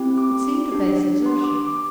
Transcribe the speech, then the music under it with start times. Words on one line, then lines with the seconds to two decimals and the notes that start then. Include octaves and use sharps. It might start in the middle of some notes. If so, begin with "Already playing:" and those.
It seemed a base desertion.
Already playing: C4 E4 G4
0.18 D6
0.72 D4 G4
1.26 C6
1.44 D6
1.61 D6